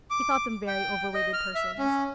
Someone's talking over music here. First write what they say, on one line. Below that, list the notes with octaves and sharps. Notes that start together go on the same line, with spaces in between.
He thought them very over-rated persons.
D6
G5
D#5
F6
E5
C#4